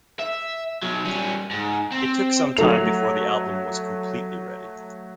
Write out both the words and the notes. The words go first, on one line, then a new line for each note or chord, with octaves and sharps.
It took some time before the album was completely ready.
E5
B2 F#3
G3 C#4
G#2
C4
F#3 A3 F7